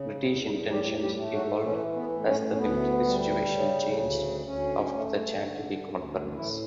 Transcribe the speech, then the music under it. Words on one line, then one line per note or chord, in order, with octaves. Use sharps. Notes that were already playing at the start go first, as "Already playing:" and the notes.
British intentions evolved as the military situation changed after the Chantilly Conference.
Already playing: C#3
E2
A2 G3 G4
G3 G4
A3
F#3 F#4
E3 C#4
B3
A2
C#4
C#4
D2 B3
G3
C#3
D2
D2 C#4
A3
D3
D2
A2 E3 E4